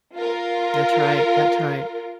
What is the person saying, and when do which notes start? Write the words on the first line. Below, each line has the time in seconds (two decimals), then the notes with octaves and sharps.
That's right, that's right.
0.15 F4 A#4